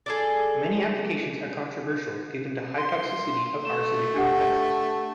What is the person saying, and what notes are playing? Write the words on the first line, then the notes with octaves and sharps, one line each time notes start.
Many applications are controversial given the high toxicity of arsenic compounds.
G#4 A4 D5
C6
A3 E7
D4 G4 F#5